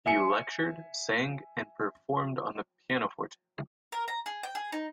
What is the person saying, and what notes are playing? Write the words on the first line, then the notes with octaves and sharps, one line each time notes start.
He lectured, sang, and performed on the pianoforte.
E5 G#5 C#7
A#4
A#5
G#4
G5
G#4
D#4